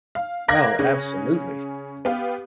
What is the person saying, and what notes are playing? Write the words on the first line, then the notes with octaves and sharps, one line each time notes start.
Oh, absolutely.
F5
A#4 F5 D6 F#6 G#6 A#6
C#3 C#4 G#4
B3 G4 F5